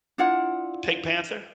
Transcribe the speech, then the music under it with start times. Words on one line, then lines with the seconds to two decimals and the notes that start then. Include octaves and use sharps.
The Pink Panther?
0.18 D4 E4 F4 F#5